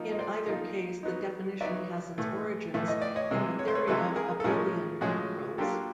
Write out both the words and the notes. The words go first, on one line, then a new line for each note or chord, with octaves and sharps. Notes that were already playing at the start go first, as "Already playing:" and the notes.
In either case the definition has its origins in the theory of abelian integrals.
Already playing: F3 A#3 D#4
D#5
C5 D5
F3 A#3 D#4
F#3 B3 D#4
F#3 B3 D#4 D5 E5
A2 E3 A3
A2 E3 A3 E5
D#5
D5
C#5 D#5
C3 E3 G#3
C#5
C5
B4 C#5
C3 E3 G#3 A4 B4
G#4 A#4
A4
A2 F3 G#3 C#4 G#4 A#4
A2 F3 G#3 C#4 F#4 G#4
F#3 A#3 D4 F4 G4 A4